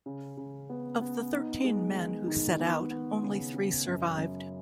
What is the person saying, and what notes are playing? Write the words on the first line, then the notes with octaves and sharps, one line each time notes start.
Of the thirteen men who set out, only three survived.
C#3
C#3
B3
B3
D#4
G#3
D#3
D#3
B3
B3
C#3
C#3
F#2
F#2